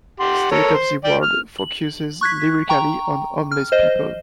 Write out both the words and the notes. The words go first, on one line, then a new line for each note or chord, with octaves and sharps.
"State of the World" focuses lyrically on homeless people.
G4 F#5 C6
A4 A#4 C#5
C5
D5 G5
F6
F#7
C#6 F#6 G#6 B6
G5 A#5 C#6
F6
C5 D#5